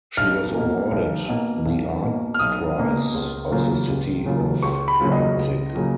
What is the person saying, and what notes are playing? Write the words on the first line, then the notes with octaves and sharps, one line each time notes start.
She was awarded the Art Prize of the City of Leipzig.
B1 F6
B2 A#3
B1
B2 A#3
B1
B2 A#3
F6
B1 D#6
B2 A#3
C#2
C#3 F#3 A#3 F4
C#2
C#3 F#3 A#3 F4
C#2 C#6
B5
C#3 F#3 A#3 F4
D#5
C#2
C#3 F#3 A#3 F4